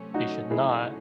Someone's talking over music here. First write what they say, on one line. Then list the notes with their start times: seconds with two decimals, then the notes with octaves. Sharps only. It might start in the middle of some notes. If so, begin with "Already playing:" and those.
they should not
Already playing: C3 F#3 A3 C#4
0.14 D#4 F#4
0.51 E4 G#4